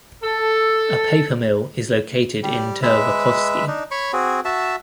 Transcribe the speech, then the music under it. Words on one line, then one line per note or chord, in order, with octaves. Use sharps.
A paper mill is located in Tervakoski.
A4
G3 G4
G#3 B4 E5
D4 D#4
C#5 B5 C#6
C4 F#4 G#4
F#4 E5 A5